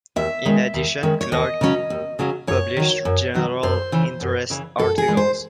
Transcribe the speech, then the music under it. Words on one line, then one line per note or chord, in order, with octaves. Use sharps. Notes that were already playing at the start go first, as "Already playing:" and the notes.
In addition, Clarke published general interest articles.
D#2 E5
D#3 G#3 C#4
D#2
D#3 G#3 C#4
C#5
D#2 D#5
C#3 F#3 C#4
D#2
C#3 F#3 C#4
F#2 C#5
D#3 F#3
F#2
D#3 F#3
F#2 C5
C#3 E3
F#2
C#3 E3
F#2 A4
G#4
C#3 E3 G#3
C5